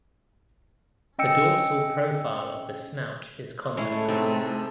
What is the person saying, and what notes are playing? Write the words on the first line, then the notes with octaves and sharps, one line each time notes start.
The dorsal profile of the snout is convex.
C#4 D#5 G5 E6 C#7
A2 G#3 A3 C#4 E4
C3 C4 D#4 A5